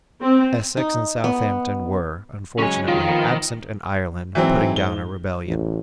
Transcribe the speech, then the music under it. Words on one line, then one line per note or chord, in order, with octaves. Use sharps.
Essex and Southampton were, unfortunately, absent in Ireland putting down a rebellion.
C4
D#4
B3
C#3 F#3 G#3 C#4 G#5
D#3 F4
F3 A#3 B3
G#2 E3 F#3 C4
G7
A1